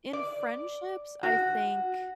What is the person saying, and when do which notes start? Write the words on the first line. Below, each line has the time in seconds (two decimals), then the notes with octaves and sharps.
in friendships, I think
0.13 D5
1.23 F#4